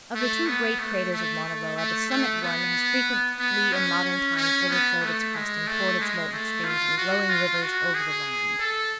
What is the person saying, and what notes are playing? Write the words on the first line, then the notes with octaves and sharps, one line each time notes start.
Of the two great craters of Mauna Loa, the summit one has frequently in modern times overflowed its crest and poured its molten streams in glowing rivers over the land.
A3
B3
A3
A3
A3
A3
A3
B3
B3
C#4
C#4
C#4
B3
A3
G#3
A3
G#3
A3
F4
F#4
F4
F#4
G#4
A4